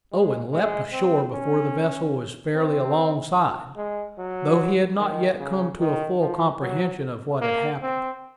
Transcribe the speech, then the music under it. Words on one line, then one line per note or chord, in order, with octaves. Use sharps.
Owen leaped ashore before the vessel was fairly alongside, though he had not yet come to a full comprehension of what had happened.
G#3
G#3
C4
C#4
C4
G#3
F#3
D#3
C#3
D#3
F3
F#3
A#3
C4